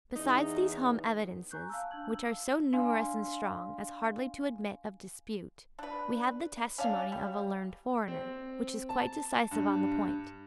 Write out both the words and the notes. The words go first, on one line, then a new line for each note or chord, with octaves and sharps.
Besides these home evidences, which are so numerous and strong as hardly to admit of dispute, we have the testimony of a learned foreigner, which is quite decisive on the point.
E2 D#4
G#5 A#5 C#6 F#6 G6
F5 A5 E6
D4 A5 E6 G#6 F#7
D4 F5 G#5 C6
D4 B4
C#4 D4 F5
G3
C4
A5
G2